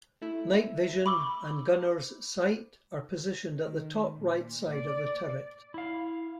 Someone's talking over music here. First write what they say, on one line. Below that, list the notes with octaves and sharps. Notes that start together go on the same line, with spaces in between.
Night vision and gunner's sight are positioned on the top-right side of the turret.
A3 E4
B5 C#6 D6 E6 G7
D#3
A#2
D5
E4 F5